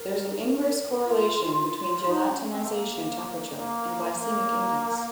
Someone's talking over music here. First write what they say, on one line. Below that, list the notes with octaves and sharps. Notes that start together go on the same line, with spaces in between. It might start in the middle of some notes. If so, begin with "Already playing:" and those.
There is an inverse correlation between gelatinization temperature and glycemic index.
Already playing: A#4
F4
F4
F4
D#4
C#4
C4
A3
A#3
A#3
A#3